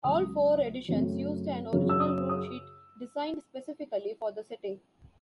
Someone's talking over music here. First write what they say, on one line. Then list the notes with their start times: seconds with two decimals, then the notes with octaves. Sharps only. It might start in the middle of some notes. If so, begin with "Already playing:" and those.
All four editions used an original ruleset designed specifically for the setting.
0.04 C#2 C#3 F#3 D#6
0.88 F#2 C#3 F#3 A3 C4
1.73 F#2 C#3 F#3
1.89 E6
2.00 D#6
2.29 D#6